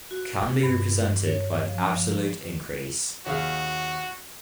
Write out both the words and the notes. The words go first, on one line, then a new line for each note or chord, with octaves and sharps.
Can be represented by an 'absolute' increase.
F#4
G2
C#5
F3
D#2 F#4 G#4 F5